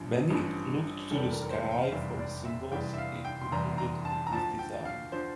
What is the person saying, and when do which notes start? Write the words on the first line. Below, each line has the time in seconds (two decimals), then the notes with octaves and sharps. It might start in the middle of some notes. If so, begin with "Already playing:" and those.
Benny looked to the sky for the symbols he included in his design.
Already playing: A1 G2 F3
0.30 A1 G2 F3
1.11 F1 E2 E3 G3 A4
1.32 A#4
1.42 A#4
1.50 C5
1.71 G5
1.82 F5
1.92 F1 E2 E3 G3 E5
2.18 D5
2.45 E5
2.71 F1 E2 E3 G3 G5
2.94 E5
2.98 F5
3.25 G5
3.41 C6
3.51 F1 E2 E3 G3 A#5
3.78 A#5
4.05 A5
4.27 A#5
4.32 D2 D3 F3 A5
4.59 G5
4.85 F5
5.12 D3 F3 C5